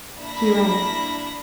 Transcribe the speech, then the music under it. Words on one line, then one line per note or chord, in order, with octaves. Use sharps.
He rang.
A#3 D4 E4 E5 B5 A#6